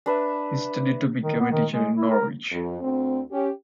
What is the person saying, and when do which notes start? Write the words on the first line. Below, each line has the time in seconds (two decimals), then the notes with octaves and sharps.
He studied to become a teacher in Norwich.
0.06 D4 B4 E5
1.23 D#3
1.40 B3
1.51 D#3
1.72 G#3
1.96 E4
2.11 A#4
2.51 F2
2.82 D2 C4
3.31 C#4 G4